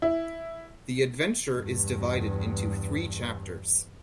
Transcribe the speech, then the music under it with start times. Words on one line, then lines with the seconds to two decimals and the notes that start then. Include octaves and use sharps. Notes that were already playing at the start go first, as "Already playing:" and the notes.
The adventure is divided into three chapters.
0.02 E4
1.54 E2 G2